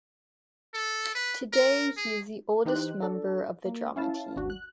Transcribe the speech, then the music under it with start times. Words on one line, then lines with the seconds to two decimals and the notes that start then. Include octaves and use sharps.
Today he is the oldest member of the Drama team.
0.74 A4
1.15 B4
1.53 A#4
1.97 G#4
2.65 E3 D#4 G4 C5 F#6
3.02 D4 A4
3.65 A#3
3.96 C#4 E4 F5 A5
4.36 G#1 D#2 D4 F#4
4.50 F#6